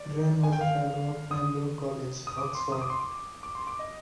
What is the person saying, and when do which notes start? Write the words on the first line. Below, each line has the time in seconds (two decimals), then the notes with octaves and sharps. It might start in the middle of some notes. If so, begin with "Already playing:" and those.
Wrenn was a Fellow of Pembroke College, Oxford.
Already playing: D5
0.43 G#5
0.53 G5
0.61 F5
1.31 D#6
2.27 D#6
2.38 D6
2.55 C6
2.72 D#6
2.81 D6
2.90 C6
3.00 D6
3.43 D6
3.55 C6
3.67 D6
3.79 D#5